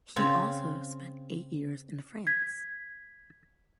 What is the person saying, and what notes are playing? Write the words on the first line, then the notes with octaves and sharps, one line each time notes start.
He also spent eight years in France.
C#3 C4 F4
G#6 B6